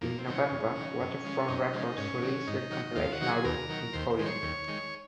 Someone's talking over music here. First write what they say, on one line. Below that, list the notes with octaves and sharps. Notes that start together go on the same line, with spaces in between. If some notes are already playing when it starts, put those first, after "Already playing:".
In November, Waterfront Records released their compilation album, 'Imploding'.
F2 A#3
C4
D#3 F#3
C#4
F2
D#3 F#3
F#2
C#3 F3 G#3
F#2 D#4
C#3 F3 G#3
G#2 C#4
D#3 F#3
G#2 D#4
D#3 F#3
D#2 F4
F#4
D#3 F#3
G#4
D#2 A#4
D#3 F#3
D#2 C5
C5
D#3 G#3
C#5
D#2
D#3 G#3